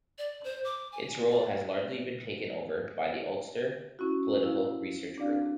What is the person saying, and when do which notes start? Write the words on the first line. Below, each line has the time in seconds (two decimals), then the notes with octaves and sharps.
Its role has largely been taken over by the Ulster Political Research Group.
0.18 D5
0.44 C5
0.64 D6
0.92 G#5
1.30 D5
3.99 C#4 E4 F#4
4.43 E4 F5
5.17 C4 D4 F#4 D5 F5